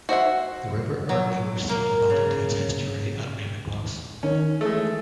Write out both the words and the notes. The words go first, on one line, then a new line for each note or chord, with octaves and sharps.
The River Irt flows through the valley to its estuary at Ravenglass.
F#4 C5 E5 F#5
F#3
A#3
C#3
D#3 C#4
E3 G#3 A3